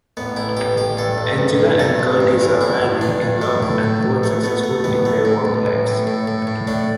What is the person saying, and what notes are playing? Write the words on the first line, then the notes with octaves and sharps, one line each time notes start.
Angela and Curtis are married, in love and both successful in their work lives.
A1 B3
A1 E4
A1 G4
A1 G4
G2 A4
A1
A1
G2
G2 A4
A1
G2
E3
G2 E4
A1
G2 D4
G2
A2 A3
A2
A2
A1
A3
A3 B3
A3
A1 B3
A3
A2
A1
A1
A2
A2
A2
A2
A2 D4